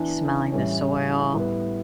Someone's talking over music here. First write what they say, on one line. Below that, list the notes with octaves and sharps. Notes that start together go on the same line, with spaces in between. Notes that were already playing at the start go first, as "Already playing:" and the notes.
smelling the soil,
Already playing: E3 B3 D4
A2 E3 G3 C#4
A2 G3 B3